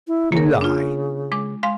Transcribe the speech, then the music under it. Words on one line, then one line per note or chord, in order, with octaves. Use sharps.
"You lie!"
E4
C#3 A#3 A#4
D4 F4
G#3 D6
G#3 F5 C6